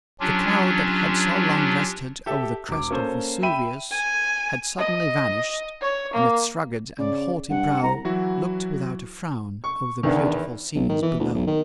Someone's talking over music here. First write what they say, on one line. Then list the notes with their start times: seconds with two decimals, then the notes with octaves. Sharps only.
The cloud that had so long rested over the crest of Vesuvius had suddenly vanished, and its rugged and haughty brow looked without a frown over the beautiful scenes below.
0.20 F#3 C#4 D4 F4 G4
2.26 G4 A4 E5
2.68 E1 D6
2.91 A#3 C#4 A4 C5
3.43 E5 G5 B5 D#7
3.92 G#5
4.78 D#5
5.81 C#5
6.13 A#3
6.99 C#3 D5
7.50 G2 F#5
7.83 C2 A#5
8.05 E3 F#3 E4 F#4
9.64 C#6
10.03 E2 D#3 B3 D4
10.75 B1
10.89 D#3
11.02 E3
11.20 D2
11.34 B1
11.47 D#3